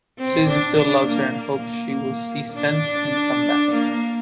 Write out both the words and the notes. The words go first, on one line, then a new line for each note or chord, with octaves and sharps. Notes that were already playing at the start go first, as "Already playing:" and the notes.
Susan still loves her and hopes she will see sense and come back.
C4
D4
D4
A#3
A#3
D4
A#3